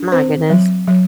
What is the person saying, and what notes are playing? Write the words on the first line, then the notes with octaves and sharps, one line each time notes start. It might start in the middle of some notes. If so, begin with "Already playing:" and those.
My goodness.
Already playing: D4
C4 C5
F#3
F#3